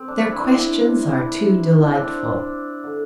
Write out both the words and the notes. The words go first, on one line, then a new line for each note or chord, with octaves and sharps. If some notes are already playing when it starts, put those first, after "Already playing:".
Their questions are too delightful!
Already playing: C4
D4
E4
C4
D4
D4
C4
D4
E4
D4
C4
D4
C4
D3